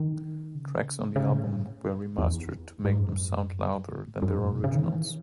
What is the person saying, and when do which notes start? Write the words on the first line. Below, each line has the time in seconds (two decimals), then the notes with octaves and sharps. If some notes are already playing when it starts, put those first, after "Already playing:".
Tracks on the album were remastered to make them sound louder than their originals.
Already playing: D#3
0.55 C#3
1.16 C#3
1.32 A2
2.18 E2
2.85 G#2
3.00 F#2
4.22 F#2
4.38 A2
4.53 B2
4.64 C#3
4.74 D#3
4.84 E3
4.94 D#3